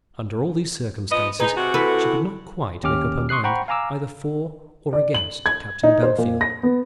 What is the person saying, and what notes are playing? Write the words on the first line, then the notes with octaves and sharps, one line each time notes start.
Under all these circumstances, she could not quite make up her mind either for or against Captain Bellfield.
F3 B3 D#5
D#4 G#4 B4
C3 F#4
E3 A4 B4
D#2 C#4 G4 D6 F6
C6 C#6 D#6 F#6 C7
C5 F#5 G5 A#5 B5 C#6
F5 G#5 A#5 D6 E6
D5
F#7
G#6
D#4
C5
A#2
A#6
B3